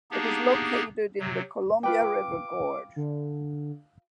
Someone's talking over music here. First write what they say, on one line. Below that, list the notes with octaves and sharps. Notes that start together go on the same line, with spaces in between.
It is located in the Columbia River Gorge.
A#3 B3 D4 D#4 G4 G#4
C3 F#3
F4 B4 G5 D6
D3